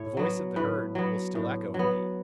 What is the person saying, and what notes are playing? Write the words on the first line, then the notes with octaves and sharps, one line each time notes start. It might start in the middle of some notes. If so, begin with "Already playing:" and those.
The voice of the herd will still echo in thee.
Already playing: A2 C#5
F#3 B3
A2 B4
F#3 B3
A2
F#3
B3